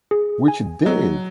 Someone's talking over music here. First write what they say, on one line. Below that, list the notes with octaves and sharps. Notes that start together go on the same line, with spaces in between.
Which it did.
G#4
G#5
F#3 D#5